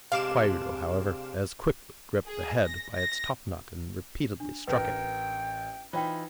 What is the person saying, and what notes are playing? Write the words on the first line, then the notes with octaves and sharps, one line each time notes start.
Kwairyo, however, as quickly gripped the head by its topknot, and repeatedly struck it.
C3 G#3 D4 F5 D6 E7
G#4
A#6
A#6
D4
A1 A#4 B4 G5
E3 D#4 F4 C5 C#5 G5 B5